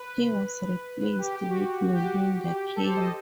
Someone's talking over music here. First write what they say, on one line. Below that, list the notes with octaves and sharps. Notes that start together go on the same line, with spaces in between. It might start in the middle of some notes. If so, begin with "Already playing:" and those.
He was replaced with Melinda Kane.
Already playing: B4
G4
G4
F#4
F#4
G4
F#4
G4
G4
A4
C5
D#5